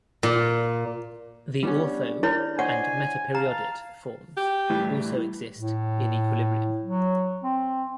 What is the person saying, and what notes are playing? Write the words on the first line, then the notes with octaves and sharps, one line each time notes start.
The ortho- and metaperiodate forms also exist in equilibrium.
A#2
G3 B3 C#4 D4
E4 A#4 C#5 B5
C5 C#5 D#5 F#5 G#5
F5 A5 A#5
G4
A2 E3 G3
A2
F#3
C4